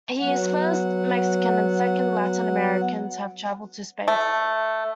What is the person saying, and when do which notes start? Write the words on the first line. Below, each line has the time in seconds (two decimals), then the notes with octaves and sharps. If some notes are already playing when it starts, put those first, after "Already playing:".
He is the first Mexican, and the second Latin-American to have traveled to space.
0.21 F#3 B3 F#5
4.08 A3